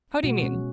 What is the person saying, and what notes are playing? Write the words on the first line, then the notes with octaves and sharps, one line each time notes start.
How do you mean?
B2 G#3 F#4
C#4